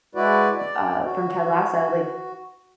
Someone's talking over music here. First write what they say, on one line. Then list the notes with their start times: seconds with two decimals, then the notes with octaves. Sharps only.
uh, from Ted Lasso, like,
0.15 G#3 E4 F#4 B4 D5
0.58 D5
1.03 F#4